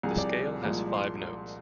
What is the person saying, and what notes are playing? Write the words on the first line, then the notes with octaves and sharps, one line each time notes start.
The scale has five notes.
C2 C3 F3 G#4
D5
C2 A#2 F3 G#3
C6